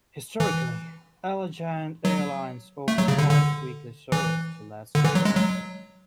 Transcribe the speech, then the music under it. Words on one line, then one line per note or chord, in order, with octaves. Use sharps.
Historically, Allegiant Airlines offered twice weekly service to Las Vegas.
E3
F#3
A3
F#3
C#3
D3
D3
E3
D3
E3
F#3
G#3
F#3